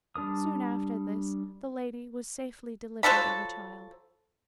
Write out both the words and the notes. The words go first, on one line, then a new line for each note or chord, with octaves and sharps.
Soon after this, the lady was safely delivered of a child.
G3 D4 A#4 D#6
F3 F#3 A4 B5